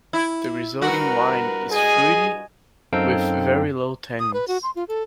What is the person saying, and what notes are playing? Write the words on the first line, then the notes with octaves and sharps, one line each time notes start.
The resulting wine is fruity with very low tannins.
E4
G2 F#4 A#4 B4
G#4 D#5 G#5
F#2 C4 D#4 A4 F5 G5
D#6
B4
F#4
C6
F4
A4